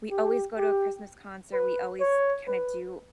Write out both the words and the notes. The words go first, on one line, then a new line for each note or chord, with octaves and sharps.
we always go to a Christmas concert, we always kinda do
G4
G4
B4
C#5
B4